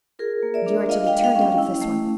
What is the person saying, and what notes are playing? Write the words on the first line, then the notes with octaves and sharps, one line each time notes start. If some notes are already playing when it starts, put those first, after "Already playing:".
"And you are to be turned out of this one."
F4 G#4 A#4
A#3
D5 E5
D4
F4 D#5 F5
F5 G5
G#3
F5 G5
C#4
F5 G5
E4
A3